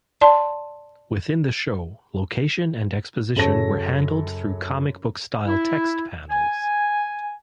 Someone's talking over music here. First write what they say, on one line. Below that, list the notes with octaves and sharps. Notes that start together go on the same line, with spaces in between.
Within the show, location and exposition were handled through comic book-style text panels.
D5 A5 C6
F#2 C#3 A4 C#5 A5 A#6
E4
G#5